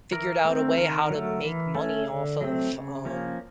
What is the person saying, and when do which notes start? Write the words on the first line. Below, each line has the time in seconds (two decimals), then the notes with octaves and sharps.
figured out a way how to make money off of, um,
0.12 E3 A#4
0.45 A3 C4
0.78 D#3 A#4
1.10 F#3 A3
1.43 E3
1.75 A3 C#4
2.08 D3
2.41 F#3 A3 C4
2.72 C#3
3.05 F3 A#3 C#4